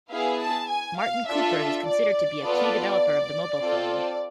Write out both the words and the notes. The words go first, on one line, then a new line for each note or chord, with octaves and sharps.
Martin Cooper is considered to be a key developer of the mobile phone.
B3 E4 G#4 F5
A5
G#5
F5
D4 F4 A4 E5
D5
B3 F4 A4
C4 F4 A4